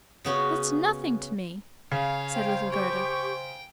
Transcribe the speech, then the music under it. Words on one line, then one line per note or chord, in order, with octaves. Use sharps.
"That's nothing to me," said little Gerda.
C#3 B3 C#4 F#4
C#3 C#5 F5
C5 G5
G4 G5 C#6